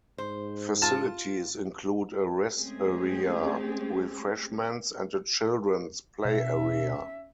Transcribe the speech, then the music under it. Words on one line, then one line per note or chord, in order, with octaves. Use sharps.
Facilities include a rest area, refreshments and a children's play area.
G#2 C5
F4 A5
G#3 A3 C4 C#4 G4 G#4
B2 C#4 E5